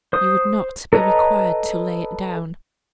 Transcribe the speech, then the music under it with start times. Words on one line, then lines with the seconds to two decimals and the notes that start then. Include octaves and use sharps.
'You would not be required to lay it down.'
0.13 C5 D#6
0.93 A4 B4 C#5 D#5 A#5